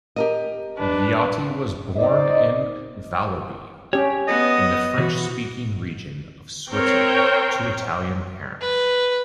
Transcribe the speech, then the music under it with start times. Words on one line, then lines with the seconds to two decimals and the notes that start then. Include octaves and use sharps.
Viotti was born in Vallorbe, in the French-speaking region of Switzerland, to Italian parents.
0.16 G4 A#4 D#5
0.78 D4 B4
1.96 D#4 C5 D5 D#5
3.93 C#4 G4 C#5
4.27 B3 D#5
4.98 B2 E3 F#4
6.71 C4 A#4 C5 C#5 G5
8.61 B4